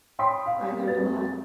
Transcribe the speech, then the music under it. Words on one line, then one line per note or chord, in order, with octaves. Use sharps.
I learned a lot.
C#5 G5 B5 C6 D#6 B6
F5
A#3
F2 F#4 B4 A6